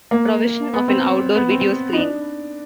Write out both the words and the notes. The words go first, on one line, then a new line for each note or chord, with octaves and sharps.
Provision of an outdoor video screen.
A#3
B3
C4
B3
C4
D#4
D4